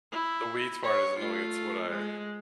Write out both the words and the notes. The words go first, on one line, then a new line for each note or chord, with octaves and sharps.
the weeds part is annoying. It's what I
E4
C#5
A3 F4
G#3